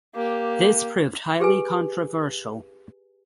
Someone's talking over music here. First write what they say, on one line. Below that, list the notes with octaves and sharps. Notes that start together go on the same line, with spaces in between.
This proved highly controversial.
A#3 G4
G4 G#4 B4 G#5